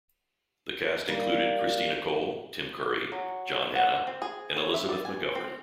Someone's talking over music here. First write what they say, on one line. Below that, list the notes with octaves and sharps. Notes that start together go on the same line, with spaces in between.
The cast included Christina Cole, Tim Curry, John Hannah and Elizabeth McGovern.
G3 A#3
F#3
F#5
C4
G#4
C#5
E5
D5
G#5
C4